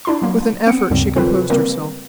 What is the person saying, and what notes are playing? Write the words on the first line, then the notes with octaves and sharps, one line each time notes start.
With an effort she composed herself.
D4 E4 B5 C6
F#3 A#3
B3 C4 C#7
D2 G2 C#3 G3 C4
C3 D#3 C4 F4 A4 B4
C#3 G3 A#3 C4 A#4 B4